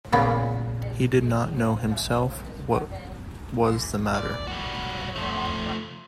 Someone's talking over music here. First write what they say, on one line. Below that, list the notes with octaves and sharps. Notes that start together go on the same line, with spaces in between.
He did not know himself what was the matter.
A#2 C#3 B3
D5
G3 F#4
F3 A3